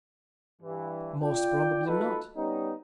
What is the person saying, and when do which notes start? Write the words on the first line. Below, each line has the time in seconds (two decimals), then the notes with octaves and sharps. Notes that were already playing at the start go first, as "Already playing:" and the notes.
Most probably not.
0.61 G2 E3
1.21 F4 D5 G5
1.86 D#4 F4 F#4 A4 B4
2.37 G3 B3 C#4 D#4